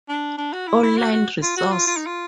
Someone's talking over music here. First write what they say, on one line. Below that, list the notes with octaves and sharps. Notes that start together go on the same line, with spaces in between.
Online resource.
D4
D4
F#4
E4
E4
F#4
F#4
F4
F#4
F4
F4
D#4
F4